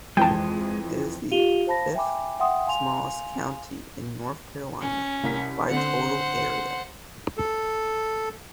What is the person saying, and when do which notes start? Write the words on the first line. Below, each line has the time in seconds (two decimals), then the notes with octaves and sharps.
It is the fifth-smallest county in North Carolina by total area.
0.17 F2 E3 G#3 G5 A5
1.31 F4 G4 F5 D#7 F7 G7
1.67 C5 F5 A5 B5 A#6
1.94 E5 G5 G#5 B5 D6
2.39 E5 F#5 G5 C6 D#6
2.66 F5 G#5 C6 F7
4.81 C#4
5.23 C2 A#4 B6
5.70 D3 C4 C5 F#5
7.38 A4